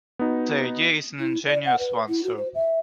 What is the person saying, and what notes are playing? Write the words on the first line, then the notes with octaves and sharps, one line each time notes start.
The idea is an ingenious one, sir.
B3 D#4 F#4
E4
D5
F#5
B4
E4
F#4
C5
E5